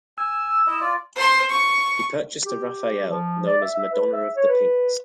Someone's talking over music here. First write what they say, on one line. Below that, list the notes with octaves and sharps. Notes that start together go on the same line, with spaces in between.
He purchased a Raphael, known as "Madonna of the Pinks".
G#5 E6
E4 D#5
F4 D5
C5 C6
C#6
G4
F3
D5
E5
E5
B4
E5
C#5
B4